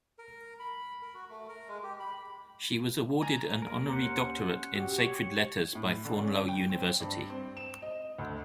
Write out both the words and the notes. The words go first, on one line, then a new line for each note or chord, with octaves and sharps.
She was awarded an honorary doctorate in sacred letters by Thorneloe University.
A#4
B5
A#4
F#4
A3
A#4
G#3
G4
B5
G#5 A#5
D#2 A#4
C#4 C5 F#5
F#4 G4
C#5
A2
D3
C#4
G5
C4
G2
C4
E7
D#5
D2